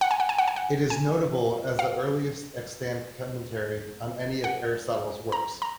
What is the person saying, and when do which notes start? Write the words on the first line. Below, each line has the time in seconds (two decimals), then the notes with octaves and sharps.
It is notable as the earliest extant commentary on any of Aristotle's works.
0.01 F#5
0.11 G#5
0.20 F#5
0.29 G#5
0.38 F#5
0.48 G#5
0.56 F#5
0.90 G#5
1.79 F5
4.44 F#5
5.32 A#5
5.62 A#5